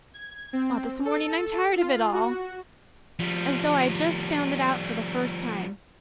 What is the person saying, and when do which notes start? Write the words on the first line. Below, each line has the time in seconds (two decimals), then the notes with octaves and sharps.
This morning I am tired of it all, as though I'd just found it out for the first time.
0.14 G#6
0.53 C4
1.05 A4
1.79 F4
2.13 F#4
3.19 F3 G3